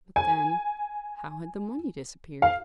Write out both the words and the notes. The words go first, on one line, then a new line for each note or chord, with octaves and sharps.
But then--how had the money disappeared?
G#5
F5